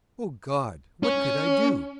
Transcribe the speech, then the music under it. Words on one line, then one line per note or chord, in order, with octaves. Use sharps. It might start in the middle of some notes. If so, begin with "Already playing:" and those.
Oh God! what could I do?
C#4